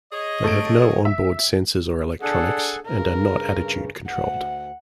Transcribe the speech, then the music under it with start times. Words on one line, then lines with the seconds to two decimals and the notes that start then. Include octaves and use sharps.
They have no on-board sensors or electronics, and are not attitude-controlled.
0.13 G#4 C#5 D#5
0.44 A3 D7
1.05 E5
2.22 D4 G#4 A4 F#5
2.86 G2 C#3 A#4
4.07 D2 F#5